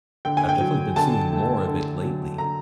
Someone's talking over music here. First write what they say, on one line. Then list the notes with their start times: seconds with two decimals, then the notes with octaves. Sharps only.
I've definitely been seeing more of it lately.
0.25 D3 G5
0.37 G#5
0.49 G5
0.61 F#3
0.96 D3 A5
1.32 A3
1.67 D3
2.03 F#3
2.38 D3 A#5